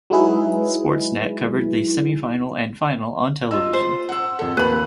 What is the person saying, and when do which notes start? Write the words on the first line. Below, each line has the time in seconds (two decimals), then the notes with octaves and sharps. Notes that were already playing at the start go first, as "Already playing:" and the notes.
Sportsnet covered the semifinal and final on television.
0.10 F#3 G#3 D#4 E4 G#4 B4
3.51 F4 D#5 E6
3.73 C5
4.09 F#5 E6
4.39 F2 A4
4.57 D#2 B4 B5